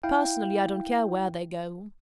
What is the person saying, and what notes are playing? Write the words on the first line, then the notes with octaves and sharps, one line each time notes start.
Personally, I don't care where they go.
E4 F5 G5